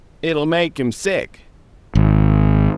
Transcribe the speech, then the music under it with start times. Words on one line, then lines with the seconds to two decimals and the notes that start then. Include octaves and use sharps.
"It'll make him sick."
1.95 G#1